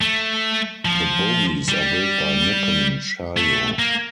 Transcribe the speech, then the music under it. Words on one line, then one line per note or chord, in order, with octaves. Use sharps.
The bogies are built by Nippon Sharyo.
A3
F3
G3
A3
A#3